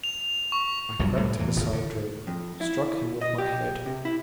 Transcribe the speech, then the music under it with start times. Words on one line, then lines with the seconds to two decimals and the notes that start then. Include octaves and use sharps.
I crept beside Drake, struck him with my head.
0.04 F7
0.52 C#6
0.99 C2 G2 A#2 F#3
1.16 A2 C3 G3
1.37 E2 A2 E3
1.56 D#1 G#1 F2 A#2
1.73 D3
2.27 F2
2.61 E4
3.21 D#5
3.38 G4
3.86 C3
4.05 E4